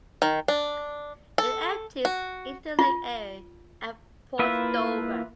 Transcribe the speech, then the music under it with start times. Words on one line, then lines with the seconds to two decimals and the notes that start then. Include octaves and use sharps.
It empties into Lake Erie at Port Dover.
0.22 D#3
0.48 D4
1.38 A4
2.05 F#4
2.79 F4
4.39 A#3 E4 F4 B4 E5